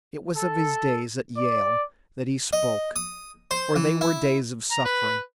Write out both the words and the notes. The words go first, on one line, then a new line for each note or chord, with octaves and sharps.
It was of his days at Yale that he spoke, for they were days of suffering.
A4
D5
D#5
D#6
C5
E3
E4
A#5
B4